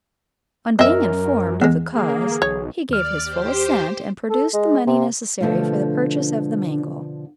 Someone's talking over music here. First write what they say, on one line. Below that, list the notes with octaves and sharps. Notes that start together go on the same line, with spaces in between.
On being informed of the cause, he gave his full assent, and produced the money necessary for the purchase of the mangle.
F#2 C4 A#4 D#5 E5
E2 G#3
D3 E3 A#3 G#4
B1 C#5
D#2 D5 F6
G4 C5
A4
G#3
C3
B2 D3 F3 A3 F4